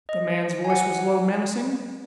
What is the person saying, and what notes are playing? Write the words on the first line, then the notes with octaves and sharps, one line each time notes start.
The man's voice was low, menacing.
D#5
G#5
F#5